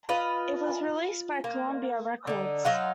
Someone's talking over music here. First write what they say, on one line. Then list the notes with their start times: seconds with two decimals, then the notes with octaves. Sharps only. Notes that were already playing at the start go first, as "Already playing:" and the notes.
It was released by Columbia Records.
0.09 F4 B4 D#5
1.44 A#3
2.27 D3 D#4
2.65 F#3 D#4 F5 F#5